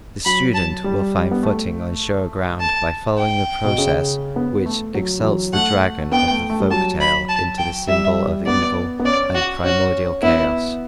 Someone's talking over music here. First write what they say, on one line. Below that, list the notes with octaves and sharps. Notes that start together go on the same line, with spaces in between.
The student will find footing on surer ground by following the process which exalts the dragon of the folk tale into the symbol of evil and primordial chaos.
F#3 B5
A5
G3
B3
A3
A5
G5
B2
C#3
B3
A3
F#3
E3
F#3
A3 F#5
B3 G5
A3
A3
G3
F#3 A5
B5
A5
G5
G3 E5
B3 D5
B3
C#4 D5
F#4
C#4 F#4
B3 E4